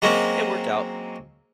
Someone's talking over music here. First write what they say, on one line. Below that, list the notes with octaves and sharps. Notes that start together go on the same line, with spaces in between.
it worked out.
F#3 G#3 A#3 C4 C#4